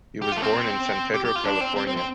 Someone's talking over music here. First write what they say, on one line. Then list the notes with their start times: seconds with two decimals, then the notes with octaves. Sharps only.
He was born in San Pedro, California.
0.22 G4
0.32 F4
0.37 A3
0.42 C4
1.14 G4
1.25 G4
1.36 F4
1.45 D4
1.61 C4
1.76 C4
1.87 C4
1.97 C4